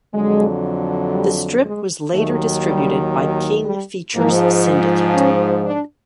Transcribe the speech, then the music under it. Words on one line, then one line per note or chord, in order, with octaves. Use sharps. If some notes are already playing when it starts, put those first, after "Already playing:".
The strip was later distributed by King Features Syndicate.
F2 D3 F#3 G#3
G3
G#3
D#2 D#3 F#3 A3
G3
G3
G#2 F3 A#3
C#4
D4